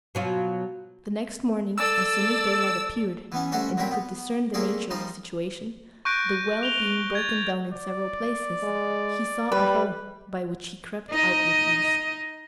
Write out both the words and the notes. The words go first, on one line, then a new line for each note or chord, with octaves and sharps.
The next morning, as soon as daylight appeared, and he could discern the nature of his situation, the well being broken down in several places, he saw a hole, by which he crept out with ease.
B2 F#3 F4
A4 D5 E6
E3 B3 C#4
G3 A3 C#4 F#4 C5 C#5
A#2 F#3 C4 C#5 G5 B5
B3
A3 A#3 C4 G#4 C#5 D5
F3 G3 D#4 C5
C#6 F#6 G6 A#6 D7
F7 G7
G#6 A6
D5
G#3
G3 B4
D#4 D#5